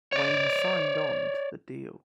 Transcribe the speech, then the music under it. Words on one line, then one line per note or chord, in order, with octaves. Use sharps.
Wayne signed on to the deal.
C#5 D5